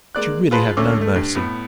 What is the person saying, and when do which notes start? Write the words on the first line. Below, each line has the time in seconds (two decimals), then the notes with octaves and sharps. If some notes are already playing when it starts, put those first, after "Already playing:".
But you really have no mercy.
0.15 G#3 A#3 D5 F#6
0.51 F4 G#4 B4 A5 B5 C6
0.77 D2 A3 C#4 D6 E6
1.01 A3
1.16 G2
1.35 A2 B3